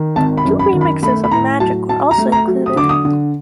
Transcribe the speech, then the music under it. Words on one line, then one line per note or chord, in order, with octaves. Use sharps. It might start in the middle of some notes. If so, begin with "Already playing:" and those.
Two remixes of "Magic" were also included.
Already playing: D#3
G#1 A5
B5
F#2
B5
D#3
B5
A3 B5
B5
A2 A#5
F#3 A5
F#3 A5
A#5
A3
A#5
F#3
D#6
D3 D6
D#6
D3